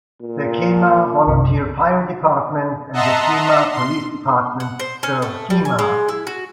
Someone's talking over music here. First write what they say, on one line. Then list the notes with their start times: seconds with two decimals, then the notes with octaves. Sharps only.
The Kemah Volunteer Fire Department and the Kemah Police Department serve Kemah.
0.23 A#2
1.27 B1 F#2 C3
2.93 D#5 E5 F#5 A5 A#5 C6
3.72 C6
4.60 F#5
4.80 C5
5.03 C#4
5.22 A3
5.50 G3
5.65 G#5
5.79 G#3
6.09 E4
6.27 F#4